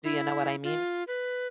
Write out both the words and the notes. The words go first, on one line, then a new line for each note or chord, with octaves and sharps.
Do you know what I mean?
E4
F4
B4